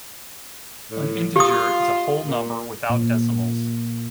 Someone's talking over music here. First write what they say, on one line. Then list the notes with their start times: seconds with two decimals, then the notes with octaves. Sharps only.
An integer is a whole number without decimals.
0.91 A2
1.36 F4 G4 D#6
2.24 A#2
2.90 A#2